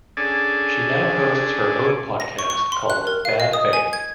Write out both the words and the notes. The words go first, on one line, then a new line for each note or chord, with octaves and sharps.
She now hosts her own podcast called "Bad Faith".
C#4 D4 G#4 A4 D5 G#5
A#6
C#6
C#6
C6
F#6
A#4
F5
D#5
D#6
G#5
G#6